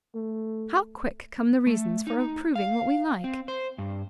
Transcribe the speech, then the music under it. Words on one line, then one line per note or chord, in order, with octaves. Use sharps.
How quick come the reasons for approving what we like!
A3
A3
D#4
F5
C4
C5
G2